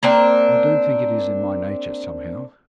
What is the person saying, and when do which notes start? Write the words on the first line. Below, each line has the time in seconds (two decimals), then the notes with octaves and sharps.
I don't think it is in my nature somehow.'
0.03 A#3 C4 D4